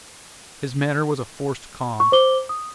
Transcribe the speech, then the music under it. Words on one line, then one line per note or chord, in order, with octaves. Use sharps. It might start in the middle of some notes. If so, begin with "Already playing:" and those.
His manner was a forced calm.
C#6
C5 D6 G7
D#6